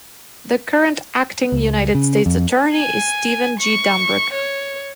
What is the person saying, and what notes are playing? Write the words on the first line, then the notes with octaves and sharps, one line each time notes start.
The current Acting United States Attorney is Stephen G. Dambruch.
C#2
C#3
F2
G#5
C#6
C#5